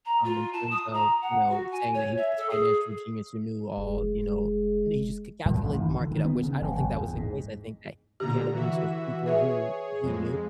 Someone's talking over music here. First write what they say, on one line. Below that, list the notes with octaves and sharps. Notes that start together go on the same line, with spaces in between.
um, in terms of, you know, saying that he was this financial genius who knew all, you know and he just could calculate the market up, which I don't think that was the case I think that he had a bunch of people who he knew,
A#5
F4
A5
D#6
A#5
F#5
F#4
G#5
C#5
E5
A4
G#4
F1 G#3
F#2
A1
D#3
D3
D#3
B3
C#3
F1
G1
E2
G#2
A#2 D3 G4 A#5
E3 F#4 E5
G#4 B4 C#5 E5
F2 G#3